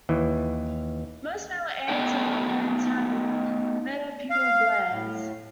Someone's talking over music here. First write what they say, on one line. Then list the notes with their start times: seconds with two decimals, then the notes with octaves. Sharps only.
Most male ants are not known to have metapleural glands.
0.09 D#2 E3
1.88 A3 B3 D#4 A4 G5
4.30 F5
4.91 A2